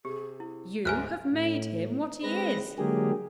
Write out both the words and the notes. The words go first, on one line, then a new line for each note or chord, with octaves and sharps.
You have made him what he is!'
C3 G4 G#4
E4
D2 G#2 F#4 A#4 C#5 G#5 F6 F#6
A2
G#3 C4 B4 A#6
D3 F#3 G#3 A#3 G4 G#4